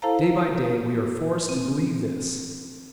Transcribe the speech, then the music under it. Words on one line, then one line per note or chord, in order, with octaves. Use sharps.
Day by day we are forced to believe this.
E4 A4 C5 F5 A5 A#5
C4